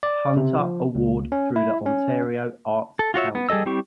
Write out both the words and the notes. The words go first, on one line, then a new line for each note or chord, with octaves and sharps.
Hunter award through the Ontario Arts Council.
D5
C3
F3
C#2
C#4
E4
C#4
A4
F4 F#4 C#5 E5
B3
G3 G#4 A4 D#5 E6
G3 C4 E4 G4 C#6